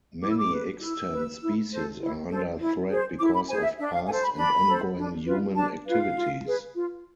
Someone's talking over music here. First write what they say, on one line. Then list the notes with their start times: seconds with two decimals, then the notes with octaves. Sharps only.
Many extant species are under threat because of past and ongoing human activities.
0.22 E4 D6
0.31 E6
0.39 D6
0.51 B4
0.82 E4 E6
1.11 B4
1.42 E4
1.71 A4 C5
2.01 E4
2.30 A4 C5
2.60 E4
2.89 G#4 C5
3.19 E4 D6
3.34 B5
3.48 G#4 C5 G#5
3.63 E5
3.79 D4 E5
3.93 F5
4.08 A4 C5 G#5
4.22 B5
4.37 D4 B5
4.67 A4 C5
4.97 D4
5.26 F4 B4
5.56 D4 A5
5.86 F4 B4 F5
6.16 F4
6.45 G#4 B4
6.74 F4